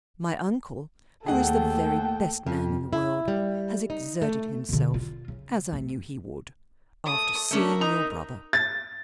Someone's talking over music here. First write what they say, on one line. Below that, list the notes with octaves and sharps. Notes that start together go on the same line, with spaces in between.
My uncle, who is the very best man in the world, has exerted himself, as I knew he would, after seeing your brother.
D#2 A3 A#3 G#4 A4 F#5 G5
F2
E4
G3
D#4
A3
B2 D3
F4
C#3
C3 A3
A3 D#6
A3 C#4 D4 A#4 E5
D#4 A#5
A6